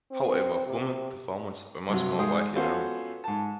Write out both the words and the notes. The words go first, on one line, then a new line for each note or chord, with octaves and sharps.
However women performers were much more widely known.
C4
C3
G2 C3 F#3
G#2 G#3 C5 D#6
B3 C#4 F4 F#4 A4 C5
G#2 A5